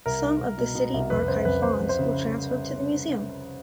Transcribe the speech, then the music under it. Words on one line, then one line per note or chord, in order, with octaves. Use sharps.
Some of the city archive fonds were transferred to the museum.
C2 A#4
C2
C2
B2
B2
C2
F2 B4
C#3 C5
F2 B4
F2 C5
F2
C5
C#3